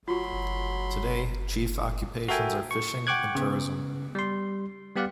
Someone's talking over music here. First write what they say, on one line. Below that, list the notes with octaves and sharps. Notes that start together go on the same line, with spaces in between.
Today, chief occupations are fishing and tourism.
F#3 F4 F#4 B5 C6
F#4 A4 A#4 E5 G5 G#5
C#6
F#5 G5 C#6 D6 F#6 G#6
C#3 B3
G3 C6
G3 B3 G4 D5 F5 F#5